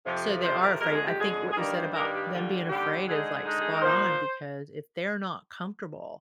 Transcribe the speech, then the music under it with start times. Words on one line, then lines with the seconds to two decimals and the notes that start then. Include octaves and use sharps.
so they are afraid, I think what you said about them being afraid is, like, spot on because if they're not comfortable
0.05 F2 C3 F3
0.43 F2 C3 F3 C5
0.62 A#4
0.80 F2 D3 G#3 A#4
0.93 G#4
1.06 G4
1.18 F2 D3 G#3 G#4
1.51 G#4
1.56 G2 D#3 G3 A#3 D4 A#4
1.75 C5
1.93 G2 D#3 G3 A#3 D4 A#4
2.13 G4
2.31 D#2 D3 G3 F4
2.69 D#2 D3 G3 G4
3.06 D3 G#3 D#4 G#4
3.45 D3 G#3 D#4
3.62 G#4
3.72 A#4
3.82 A#2 F3 A#3 D#4 C5